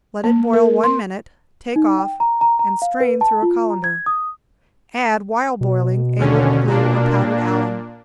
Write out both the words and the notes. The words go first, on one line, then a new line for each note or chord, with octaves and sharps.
Let it boil one minute, take off and strain through a colander. Add, while boiling, a little glue or powdered alum.
A#3
A#4
C6
D#4
G5
A#5
A#5
A#5
F5
B4
A5
F4
A#5
G#6
D#6
B2
D#2 D3 C#4
A#2 A#3 D4